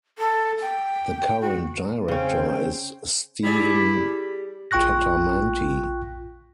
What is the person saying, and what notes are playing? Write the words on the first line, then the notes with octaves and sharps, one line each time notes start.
The current Director is Steven Tettamanti.
A4
G5
F#4
C#3 C4 C#4 G5
G3 E4 G#4 D5
A#1 F4 G5 C#6 F#6 A#6